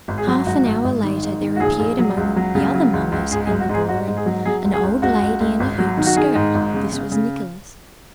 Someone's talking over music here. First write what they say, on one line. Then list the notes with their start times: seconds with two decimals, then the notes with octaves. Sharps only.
Half an hour later there appeared among the other mummers in the ballroom an old lady in a hooped skirt--this was Nicholas.
0.08 G#1
0.18 G#4
0.27 F#3
0.46 G#1 F#4
0.65 G#1
0.84 G#1
1.03 D#3
1.23 G#2
1.41 D#3
1.56 F#4
1.60 A#1 G#4
1.80 A#1
1.99 F#3
2.17 C#2
2.36 F#3
2.55 C#3
2.74 F#3
2.93 C#2
3.12 C#2
3.31 G#2 G#4
3.46 G#4
3.50 G#1
3.60 F#4
3.69 G#2 G#4
3.88 G#2 F#4
4.07 G#2
4.17 G#4
4.26 F#3
4.45 F#3 G#4
4.65 C#2
4.74 G#4
4.83 C#2
5.02 C#2 F#4
5.22 C#2
5.40 C#2
5.60 G#1
5.78 F#3
5.97 D#3
6.06 F#4
6.16 D#3 G#4
6.35 G#2
6.55 G#1
6.74 C#3
6.92 C#3
7.12 C#3